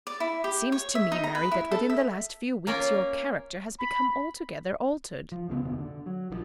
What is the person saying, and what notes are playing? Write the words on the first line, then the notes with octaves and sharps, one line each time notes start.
"It seems to me, Mary, that within the last few weeks your character has become altogether altered."
D5
E4
G4
C#5
E5
D#4
A#5
B4
E4
A4
E5
A#3 C#4 F4 A#4
B5
F3
C2 C#3 G3 B3
F1 D#2 B2
D3
F#3
A#1 D#3 F3